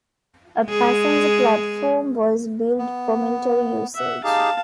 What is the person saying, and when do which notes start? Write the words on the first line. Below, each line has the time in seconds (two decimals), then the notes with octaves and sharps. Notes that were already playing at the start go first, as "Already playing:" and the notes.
A passenger platform was built for military usage.
0.66 G#3 G#4
2.78 B3
3.94 E5 F#5
4.24 D#4 G4 G#4 F5 A5